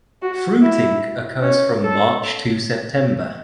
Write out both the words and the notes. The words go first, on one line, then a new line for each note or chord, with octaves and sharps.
Fruiting occurs from March to September.
F#4
E4
C#4
A4